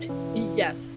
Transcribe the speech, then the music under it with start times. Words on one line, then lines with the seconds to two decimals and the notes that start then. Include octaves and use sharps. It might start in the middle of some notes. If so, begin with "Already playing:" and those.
Eh y yes.
Already playing: B2 E4
0.09 E3 C#4